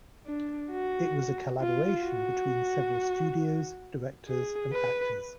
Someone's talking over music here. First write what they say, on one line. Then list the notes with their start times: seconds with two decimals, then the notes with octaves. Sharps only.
It was a collaboration between several studios, directors and actors.
0.26 D4
0.71 F#4
1.61 F4
2.05 F#4
4.29 G#4
4.73 B4